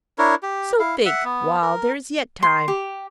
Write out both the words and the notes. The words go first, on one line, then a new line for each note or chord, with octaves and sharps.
So think, while there is yet time.'
D4 E4 A#4 C#5
G4
E4 F5
E5 F#5
B3
A#4
C6
G4